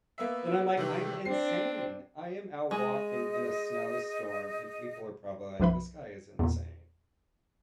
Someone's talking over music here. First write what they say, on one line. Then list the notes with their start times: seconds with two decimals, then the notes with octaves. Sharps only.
and I'm like, "I'm insane." I am out walking in a snowstorm, and people are probably like, "This guy is insane."
0.18 A#3 B3 E5
0.77 C3 D#3 E3
1.25 C4 D4 C7
2.71 G#3 D#5
5.60 B1 F#2 F3 B4 E5 B5
6.39 E2 A#2